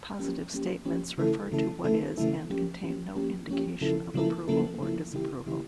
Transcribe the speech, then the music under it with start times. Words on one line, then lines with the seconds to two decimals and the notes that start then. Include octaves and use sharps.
Positive statements refer to what is and contain no indication of approval or disapproval.
0.19 F3 A#3 C#4 G4
0.53 F3 A#3 C#4 G4
0.85 F3 A#3 C#4 G4
1.18 C#3 E3 A3 E4 A4
1.51 C#3 E3 A3 E4 A4
1.84 C#3 E3 A3 E4 A4
2.17 C#3 E3 A3 E4 A4
2.50 F3 A#3 C#4 G4
2.83 F3 A#3 C#4 G4
3.15 F3 A#3 C#4 G4
3.49 F3 A#3 C#4 G4
3.81 C#3 F3 A#3 E4 A4
4.14 C#3 F3 A#3 E4 A4
4.48 C#3 F3 A#3 E4 A4
4.80 C#3 F3 A#3 E4 A4
5.13 C#3 E3 A#3 E4 G4
5.46 C#3 E3 A#3 E4 G4